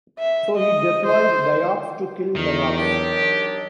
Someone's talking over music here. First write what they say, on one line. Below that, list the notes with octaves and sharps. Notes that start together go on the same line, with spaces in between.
So he deployed Dayaks to kill Dayaks.
E5
D#5
C5
E2 D#3
D#3 F#3 D4 G4